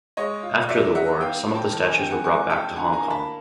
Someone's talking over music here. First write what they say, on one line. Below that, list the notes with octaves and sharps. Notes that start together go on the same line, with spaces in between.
After the war, some of the statues were brought back to Hong Kong.
G#3 C#5 D#5
F4
F#3 D5 E5
D#4 E5 F#5
B3 F5 G5
F#3
G5 A5
D#3 A5
G#5
C4 G5
F#5 G#5
G#3 F#5 G#5
E4 G5 A5
D3 F#5 G#5
G#5 A#5
A#3
A5 B5